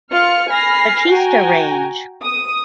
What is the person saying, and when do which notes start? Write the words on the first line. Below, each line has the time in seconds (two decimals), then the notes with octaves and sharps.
Batista range.
0.11 F4 F6 C#7
0.50 G#5 B5 F6 A#6 C7
1.09 F#4 G5 G#5 A#5
2.24 D#6